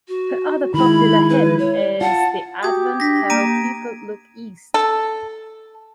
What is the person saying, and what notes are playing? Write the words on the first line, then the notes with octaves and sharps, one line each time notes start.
Her other popular hymn is the Advent carol People, Look East!
F#4
D#3 G#3 E4 B5
B4
C#5
F4 F#5 A5
F#4 G4 D#6 G#6
D4 A#6 B6
A#3 A#5 D7 D#7
A4